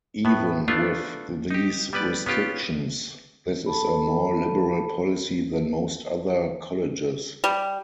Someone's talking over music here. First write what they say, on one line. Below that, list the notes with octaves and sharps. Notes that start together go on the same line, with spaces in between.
Even with these restrictions, this is a more liberal policy than most other colleges.
A2 B3
A3 B3 D4 F4
D#4 G4
G3 B3 B4 D5
B3 C#4 F4 G4
A4 A5 B5
G3